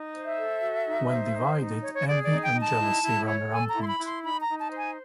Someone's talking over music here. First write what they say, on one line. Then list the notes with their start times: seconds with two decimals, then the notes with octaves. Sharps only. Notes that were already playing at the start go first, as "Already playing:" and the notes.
When divided, envy and jealousy ran rampant.
Already playing: D#4
0.12 C5
0.25 E5
0.37 A4
0.61 F#4
0.85 D#4
1.09 C5
1.34 D#4
1.58 D#4
1.82 C#5
1.94 C#5
2.06 G#4 D5
2.24 D5
2.30 D#4
2.42 G5
2.54 D#4
2.60 A5
2.79 E4
3.02 E4
3.26 C#5
3.51 A4 G#5
3.69 A#5
3.75 E4
3.81 C6
3.87 B5
3.98 E4
4.05 C6
4.23 D#4 B5
4.41 A#5
4.47 D#4
4.59 A5
4.71 C5
4.77 G#5